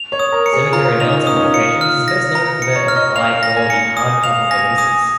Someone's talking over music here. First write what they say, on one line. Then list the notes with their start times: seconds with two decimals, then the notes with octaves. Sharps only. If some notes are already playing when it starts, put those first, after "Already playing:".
Cemetery Dance Publications is best known for their high quality hardcover releases.
Already playing: F7
0.12 C#5
0.19 D#6
0.32 A#4
0.46 C#7
0.53 G#4
0.72 F4 A#5
1.00 D#4 F7
1.27 C#4 D#6
1.36 D#4
1.44 C#4
1.54 F4 C#7
1.81 F6
2.08 A#6
2.35 A#5
2.62 C#7
2.76 C#5
2.88 F6
2.96 D#5
3.16 F5 F7
3.43 A#6
3.56 G#5
3.70 C#7
3.97 G#5 D#6
4.23 F5 F7
4.51 G#5 A#6
4.78 G#5 D#6